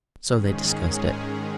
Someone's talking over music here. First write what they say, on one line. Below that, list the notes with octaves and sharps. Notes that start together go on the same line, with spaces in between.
So they discussed it.
G#2 D#3 G#3 C#4 G#4